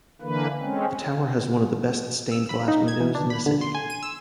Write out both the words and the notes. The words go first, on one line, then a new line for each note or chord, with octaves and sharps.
The tower has one of the best stained glass windows in the city.
D3 E3 A#3 B4
G#3 C4 C#4
E6
B5
D#4
G#6
E3
D4
B5
D3
C6
G#5
D#7
E6